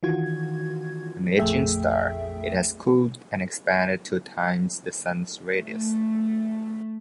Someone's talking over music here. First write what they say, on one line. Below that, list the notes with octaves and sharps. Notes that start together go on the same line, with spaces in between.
An ageing star, it has cooled and expanded to times the Sun's radius.
D#3 E3 F4 F#4 G#6
A#1 F2 A3 G#4 E5 G5
A3